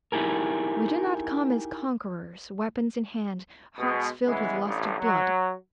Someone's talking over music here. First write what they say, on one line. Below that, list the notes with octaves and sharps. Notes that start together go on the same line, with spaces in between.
We do not come as conquerors, weapons in hand, hearts filled with lust of blood.
D#4 E4 G4 G#4 A#4
B2 G#3
C#3 E3 G#3 B3
A1 G2
F#3